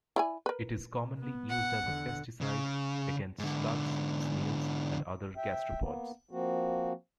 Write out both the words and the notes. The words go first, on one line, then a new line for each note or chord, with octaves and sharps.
It is commonly used as a pesticide against slugs, snails, and other gastropods.
E4 D5 G#5
A#4 B4
B3
F#5
E2 D3
C#3
G#2 D3
E5 G5
A#3 B3
F3 A#3 C4 F#4